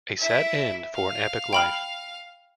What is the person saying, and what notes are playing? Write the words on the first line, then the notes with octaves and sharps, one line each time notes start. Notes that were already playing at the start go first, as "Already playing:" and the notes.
A sad end for an epic life.
E4 E5
F5
G5 B5 F6